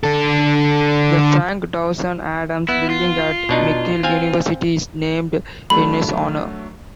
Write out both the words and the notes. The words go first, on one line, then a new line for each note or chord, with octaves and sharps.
The Frank Dawson Adams Building at McGill University is named in his honor.
D3 A4
B3 E4
F4
B2 D4 D#4
C4 F5 G#5
F#3 A3 D4 B5